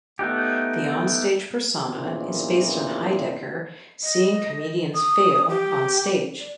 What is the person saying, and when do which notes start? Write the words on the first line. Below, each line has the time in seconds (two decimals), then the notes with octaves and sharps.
The onstage persona is based on Heidecker seeing comedians fail onstage.
0.19 A3 B3 D#4 G4
1.86 E2 G2 A#2 D#3 C4 C#4
4.03 D#5
4.94 D#6
5.49 G4
6.40 D5